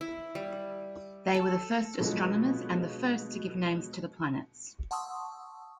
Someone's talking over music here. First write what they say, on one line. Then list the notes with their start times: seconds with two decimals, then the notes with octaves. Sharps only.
They were the first astronomers and the first to give names to the planets.
0.01 E4
0.35 G3
1.34 A4
2.00 B2 D3 F3 F#3 G#3 B3
4.91 F#5 A5 C6 C#6 D#6 E6